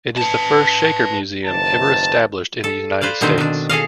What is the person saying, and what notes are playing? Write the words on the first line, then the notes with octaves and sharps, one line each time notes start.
It is the first Shaker museum ever established in the United States.
B4 A5
F#1 D#3 B4 C5 A5
A4
B4 C5 D5 F5
B2 D3 D#3 C4 C5
D#3 D4
G#4 A4 D#5 F5